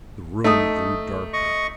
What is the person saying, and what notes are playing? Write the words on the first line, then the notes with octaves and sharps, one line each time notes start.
The room grew darker.
A3 D#4 D#6
D#5 C#6